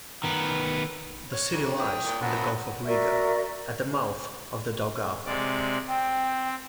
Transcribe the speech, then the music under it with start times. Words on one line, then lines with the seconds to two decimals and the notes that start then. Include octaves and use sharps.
The city lies on the Gulf of Riga, at the mouth of the Daugava.
0.23 D#3 B3
1.31 C#5
1.52 D2
1.78 G5 D#6
2.05 A#2
2.22 F#2 F3 B3 F#5
2.85 F#4 A#4 D5 E5
5.26 C3 G#3 D5
5.88 C4 G5